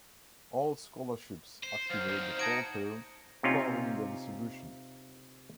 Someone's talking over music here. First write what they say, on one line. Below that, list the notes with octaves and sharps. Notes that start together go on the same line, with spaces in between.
All scholarships activate the fall term following their distribution.
C5 C7
F#2 C5 F5
C2 D#3
D#4 F#4 A5 G#6 D7
C3 C4 C#4 D#4 F4